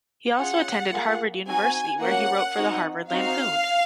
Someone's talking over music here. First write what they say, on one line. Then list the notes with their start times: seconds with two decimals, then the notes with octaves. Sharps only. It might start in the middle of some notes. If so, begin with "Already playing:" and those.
He also attended Harvard University where he wrote for the "Harvard Lampoon".
0.37 C#4 F4 G#4 F#5
0.92 A#3 F4 G#4
1.47 C4 D#4 F#4 G#5
2.01 A#3 C#4 F#4 F#5
2.56 C4 D#4 F#4
3.10 C4 D#4 F#4 F5